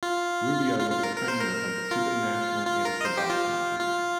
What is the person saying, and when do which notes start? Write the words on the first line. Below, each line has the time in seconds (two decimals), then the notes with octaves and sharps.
Rubio was a trainer of the Cuban national amateur boxing team.
0.03 F4
0.79 F4
0.91 F4
1.03 A#4
1.16 A#4
1.28 C5
1.40 A#4
1.91 F4
2.67 F4
2.85 A#4
3.01 D#5
3.05 C5
3.17 G4
3.30 F4
3.80 F4